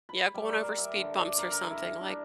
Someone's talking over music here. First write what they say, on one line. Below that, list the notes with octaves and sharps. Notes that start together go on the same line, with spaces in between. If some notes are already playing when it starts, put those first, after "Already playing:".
yeah, going over speed bumps or something, like
B5
G3
A#4
A#4
E5
D3
D6
A#4
A#4
E4
D4